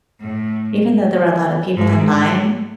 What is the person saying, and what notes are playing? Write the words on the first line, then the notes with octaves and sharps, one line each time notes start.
even though there were a lot of people in line,
A2
G#2